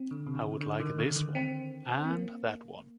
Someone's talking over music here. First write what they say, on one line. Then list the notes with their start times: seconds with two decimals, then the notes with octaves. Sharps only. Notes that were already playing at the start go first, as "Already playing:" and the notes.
I would like this one and that one.
Already playing: C4
0.11 D3
0.26 C3
0.35 D3
0.61 D3
0.80 D#3
0.98 D3
1.16 D#3
1.35 C4
2.04 C4
2.10 A#3